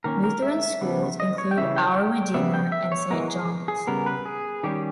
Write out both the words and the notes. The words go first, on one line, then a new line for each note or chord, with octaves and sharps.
Lutheran Schools include Our Redeemer and Saint John's.
D#3 A#3 C#4 A#4
A#4
E5
C#3 G3 B3
D#5
C#5
G5
C#3 E3 A#3 C#4 E5
G5
G5
C#3 G3 B3 E5
G5
E5
C#5
E3 G#3 B3 A#4
G#4
G#4
C#3 G3 B3 A#4
B4
G#4
D#3 G3 C#4 G4